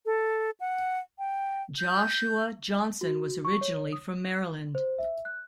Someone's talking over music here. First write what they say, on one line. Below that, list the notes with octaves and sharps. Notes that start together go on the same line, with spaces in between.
Joshua Johnson was originally from Maryland.
A4
F#5
G5
G6
F#4
C#6
C#5
D#6
C5
E5
F#6